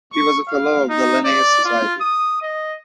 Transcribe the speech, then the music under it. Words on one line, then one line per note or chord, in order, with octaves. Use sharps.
He was a fellow of the Linnaeus Society.
C#6
F5
D#4
D5
F4
D#6
D#5